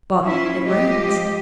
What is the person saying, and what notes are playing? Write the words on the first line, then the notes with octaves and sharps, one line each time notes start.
"But it rains."
F3 C#4 E4
F3 G#3 G4 D#5